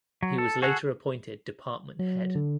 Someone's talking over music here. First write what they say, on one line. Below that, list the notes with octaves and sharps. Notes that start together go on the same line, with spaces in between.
He was later appointed department head.
F#3
A4
F#4 G#4 A4 F#5
F#3
D3